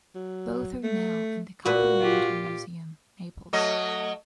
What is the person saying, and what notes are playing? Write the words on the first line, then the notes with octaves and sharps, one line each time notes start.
Both are now in the Capodimonte Museum, Naples.
F#3
A3
A#2 F#4 B4
F4 G4
F#3 A3 D#5